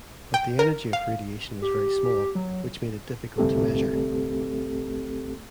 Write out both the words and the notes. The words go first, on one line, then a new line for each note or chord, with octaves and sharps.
But the energy of radiation was very small, which made it difficult to measure.
G5
A#4
F5
G4
G4
F#3
G1 C2 A3 C4 G4 A4